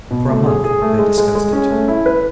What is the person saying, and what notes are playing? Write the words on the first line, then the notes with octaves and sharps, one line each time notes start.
For a month they discussed it.
B2
A3
G#4
G#4
A3
G#3
G#3
G#3
C#4
A3
E4
B4